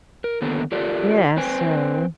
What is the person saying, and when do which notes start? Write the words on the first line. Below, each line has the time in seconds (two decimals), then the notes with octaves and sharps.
Yeah, so
0.24 A#4
0.41 D3 D#3 A#3 B3 A4
0.72 F4 G4 A4 A#4 D5
1.37 C4 B4 C5 G5 G#5